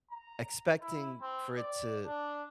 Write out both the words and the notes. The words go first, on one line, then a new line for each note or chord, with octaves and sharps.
expecting for it to
A#5
E4
C4
D5
D4